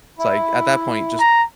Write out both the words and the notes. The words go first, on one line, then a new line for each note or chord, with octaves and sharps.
It's like, at that point, just
E4
A#5